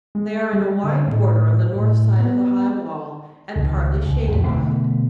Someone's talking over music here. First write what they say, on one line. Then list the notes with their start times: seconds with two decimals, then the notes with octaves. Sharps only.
They are in a wide border on the north side of the high wall and partly shaded by it.
0.15 G#3
0.53 G3
0.84 D3
1.07 A2
1.75 A2
2.20 B3
3.55 C#2 D#3
4.05 C#2
4.31 A1 F2 G#2 A3
4.45 B2 D3 A3